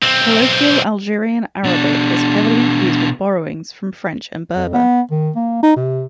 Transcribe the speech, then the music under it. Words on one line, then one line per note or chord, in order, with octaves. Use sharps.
Colloquial Algerian Arabic is heavily infused with borrowings from French and Berber.
B1 C4
B2 D4
F2
B3
D#3
A#3
D#4
C3